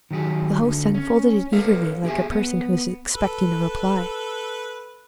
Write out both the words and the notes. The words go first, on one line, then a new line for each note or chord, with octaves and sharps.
The host unfolded it eagerly, like a person who is expecting a reply.
D#3 F#3 G4 G#4
D2 D3
C#4
A4 B4 C#5 F5
G4 G#4 E5 G#5
B3
A4 B4